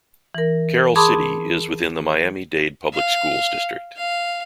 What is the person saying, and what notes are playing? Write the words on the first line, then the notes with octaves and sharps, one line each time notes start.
Carol City is within the Miami-Dade Public Schools district.
E3 A#4
G#4 A5 B5 C6 D6 D#6
F5
F5